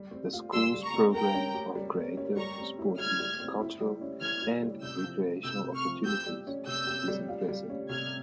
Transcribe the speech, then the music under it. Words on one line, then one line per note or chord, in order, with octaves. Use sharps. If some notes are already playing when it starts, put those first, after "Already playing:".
The School's programme of creative, sporting, cultural and recreational opportunities is impressive.
Already playing: G3
C4
F4
G3 C6 E6
G3
A#5 C#6
C4
A#4 G5 A#5
C#4
G4
G3
A#4
C#4
G3 A#5 C#6
C4
E4
G3 F6 G#6
G3
C4
E4
G3
C#4
E3 F6 G#6
E4
G3
C3 E6 G6
F3
C4
C3 E6 G6
C3
C#6 F6
F3
G4 E6 G6
G3
C#4
C3 E6 G6
G4
G3
F4
G3
C#4
C3 F6 G#6